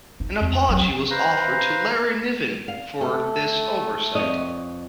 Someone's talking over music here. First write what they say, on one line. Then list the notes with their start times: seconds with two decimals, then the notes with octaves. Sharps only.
An apology was offered to Larry Niven for this oversight.
0.20 D#4
0.41 F2
0.69 F#3
1.10 B4 C5 F5 A#5
2.68 F5
3.01 A3 A4
4.15 F2 C#5 D#5